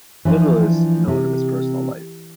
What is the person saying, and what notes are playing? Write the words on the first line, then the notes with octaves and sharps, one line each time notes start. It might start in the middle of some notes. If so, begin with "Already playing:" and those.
Little is known of his personal life.
E3 F3 D4
C3